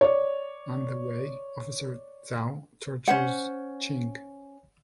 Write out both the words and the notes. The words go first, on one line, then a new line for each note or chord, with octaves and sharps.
On the way, Officer Zau tortures Ching.
C#5 D5
C#4 C5 F#5